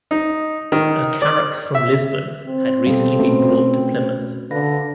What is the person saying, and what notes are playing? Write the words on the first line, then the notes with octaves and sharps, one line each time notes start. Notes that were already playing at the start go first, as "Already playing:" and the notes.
A carrack from Lisbon had recently been brought to Plymouth.
D#4
D#3
D5
E5
C4
B2 G3 A4 F5
B2 A3 C#4 F#4 B4
D3 B4 F5 A#6